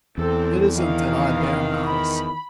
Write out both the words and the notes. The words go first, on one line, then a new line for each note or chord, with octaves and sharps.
It isn't that I bear malice.
E2 C4 A4
D#3 E3 F5
B5